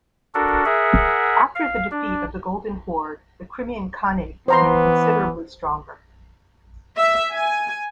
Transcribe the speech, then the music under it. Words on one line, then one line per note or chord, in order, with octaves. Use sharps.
After the defeat of the Golden Horde, the Crimean Khanate became considerably stronger.
D4 F#4 A4 A#4
G#4 A#4 E5 F#5
F5
D4
E3 B3 C5 A#5 C6
E5
G#5